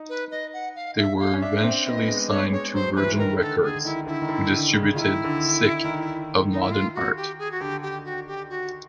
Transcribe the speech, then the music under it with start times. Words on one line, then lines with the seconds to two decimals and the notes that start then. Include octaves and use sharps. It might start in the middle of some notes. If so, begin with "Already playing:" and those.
They were eventually signed to Virgin Records, who distributed "Sick of Modern Art".
Already playing: D#4
0.09 B4
0.31 D#5
0.54 F#5
0.76 F5
0.98 E5
1.19 F5
1.34 C#4
1.41 D4 E5
1.63 C4
1.86 B3 D#5 E5
2.08 G#3
2.30 G#3 C#5
2.52 G#3 C#5
2.74 F#3 C5
2.96 E3 B4
3.18 D#3 A#4
3.40 D3 A4
3.63 D3 G#4
3.84 D#3 E4
4.07 D3 E4
4.22 D#3
4.29 D3
4.51 D3
4.74 C#3
4.95 D#3 E4 F4
5.24 D3
5.84 D#3
6.50 D#4
6.61 E4
6.72 F4
6.95 F#4
7.17 G4
7.39 G#4
7.51 F#4
7.61 D3 G4
7.83 G4
8.05 F#4
8.27 G4
8.50 F#4